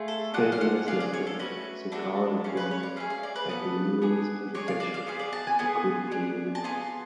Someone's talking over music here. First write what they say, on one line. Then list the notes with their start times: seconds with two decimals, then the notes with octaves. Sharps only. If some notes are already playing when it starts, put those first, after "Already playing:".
Ten years later, Segel returned at Lowery's invitation when the group reunited.
Already playing: A3 F4 G#4
0.08 A4
0.34 D4 F4 G#4 F#5
0.52 F5
0.61 F#5
0.87 D4 G#4 F5
1.00 D5
1.14 C#5
1.27 A4
1.39 A3 C#4 F#4 B4
1.92 A3 D4 F#4 A4
2.44 C#4 F4 G#4
2.57 B4
2.71 C#5
2.83 D5
2.96 A3 C#4 G#4 F5
3.10 F5
3.23 D5
3.36 B4
3.49 B3 F4 A4
4.02 B3 D4 G#4
4.55 D4 G#4 C#5
4.68 F5
4.80 D5
4.94 F5
5.07 B3 F4 G#4
5.19 D5
5.33 A5
5.47 G#5
5.59 B3 F4 G#4
6.11 D4 G#4
6.55 A5
6.64 B3 F4 G#4 G#5